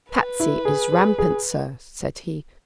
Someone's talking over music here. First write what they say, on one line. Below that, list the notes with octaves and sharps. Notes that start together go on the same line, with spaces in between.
"Patsy is rampant, sir," said he.
B4
E4
G#4
G#4
G#4